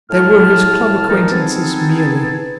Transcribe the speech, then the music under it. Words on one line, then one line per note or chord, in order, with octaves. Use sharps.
They were his club acquaintances merely.
A2 G#3 A5 F6
A#2 E3 F3 D#4 A4
B3 C4 D#4 G#4 A4